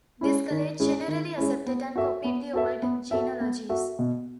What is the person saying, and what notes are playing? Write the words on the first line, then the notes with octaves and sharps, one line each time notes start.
This college generally accepted and copied the old genealogies.
G#3 C#4 E4
D#3
G#3 C#4 E4
D#3
G#3 C#4 E4
B3
F#4 A4 E5
B3
F#4 A4 E5
B3
F#4 A4 E5
B3
F#4 A4 E5
B2